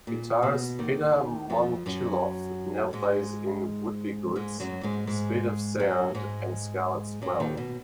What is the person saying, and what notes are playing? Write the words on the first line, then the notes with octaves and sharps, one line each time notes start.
Guitarist Peter Momtchiloff now plays in Would-be-goods, Speed of Sound and Scarlet's Well.
A#2
B2
D#2 D#3
F2 F3
F#2 F#3
G#2 G#3
G#2 G#3
F#2 F#3
G#2 G#3
G#2 G#3
F#2 F#3
G#2 G#3
F#2 F#3
D#2 D#3
B2